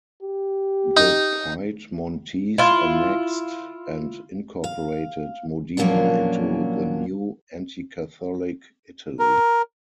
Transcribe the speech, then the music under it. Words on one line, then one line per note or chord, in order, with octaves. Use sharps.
The Piedmontese annexed and incorporated Modena into the new, anti-Catholic Italy.
G4
D#4
E4 F4
F5
A#2 F3 F#3 A#3 C#4 D4
A#4